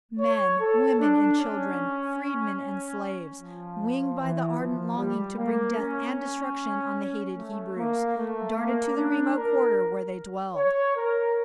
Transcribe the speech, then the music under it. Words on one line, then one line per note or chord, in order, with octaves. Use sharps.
Men, women, and children, freedmen and slaves, winged by the ardent longing to bring death and destruction on the hated Hebrews, darted to the remote quarter where they dwelt.
C#5
A4
D4
C#4
F3
E3
F3
G3
A#3
C#4
A3
A#3
A3
A#3
D4
A#4
C#5
A#4